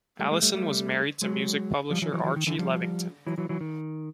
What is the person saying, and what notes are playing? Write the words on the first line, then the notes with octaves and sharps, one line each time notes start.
Allison was married to music publisher Archie Levington.
G3 A3
G#3 A#3
G3 A3
G3 A3
F#3 G#3
F3 G3
E3 F#3
E3 F#3
E3 F#3
D#3
D3 E3
F3 G3
E3 F#3
E3 F#3
E3 F#3
D#3